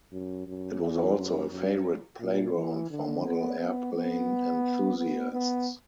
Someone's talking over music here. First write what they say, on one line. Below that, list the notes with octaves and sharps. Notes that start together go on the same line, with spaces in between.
It was also a favourite playground for model airplane enthusiasts.
F#2
F#2
E2
F#2
F#2
A#2
E3
D3
B3
B3
B3
B3
B3